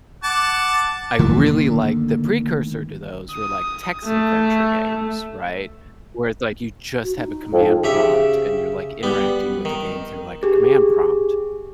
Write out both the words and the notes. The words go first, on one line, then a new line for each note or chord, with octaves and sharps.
I really, like, the precursor to those were, like, text adventure games, right, where it's, like, you just have a command prompt and you're, like, interacting with the game through, like, a command prompt.
F#5 A5 D6
D3 D#3 A3 A#3
D#6
A3
F#4
D#4
F2
C#3 G4 E5
G3 B3
D#3
G4 G#4